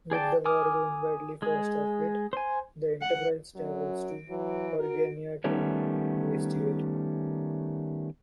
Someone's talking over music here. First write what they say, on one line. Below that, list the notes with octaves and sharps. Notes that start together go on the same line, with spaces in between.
With the war going badly for Starfleet, the "Enterprise" travels to Organia to investigate.
G#4 D5 G5 A5
G#5 D6 D#6 F6
G#3 G#4
C5 G#5
F#5
F#2 F#3
E3 F#3
F#4 A#4
D#3 G3 A3 B3 C#4